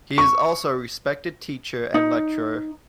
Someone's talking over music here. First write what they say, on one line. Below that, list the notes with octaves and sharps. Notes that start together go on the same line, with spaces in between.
He is also a respected teacher and lecturer.
C#6
D#4